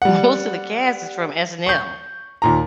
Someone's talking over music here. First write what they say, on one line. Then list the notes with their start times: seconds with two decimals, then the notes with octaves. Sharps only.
most of the cast is from SNL.
0.02 G3 F#5
1.66 C#6 G6
2.42 D#2 A#2 A#5